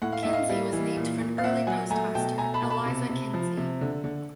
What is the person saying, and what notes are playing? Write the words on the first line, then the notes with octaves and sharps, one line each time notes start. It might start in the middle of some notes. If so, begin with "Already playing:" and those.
Kinsey was named for an early postmaster, Eliza Kinsey.
A2 F#5
F5
A2 E5
D#5 F5
G3
E3
A#2
A#2
F5
A#2 E5 F#5
F#3 F#5 G#5
A3 G#5 A#5
B2 G5 A5
A3 G#5 A#5
A5 B5
B2
A5 B5
C3
C3
F3
C3
D3
D3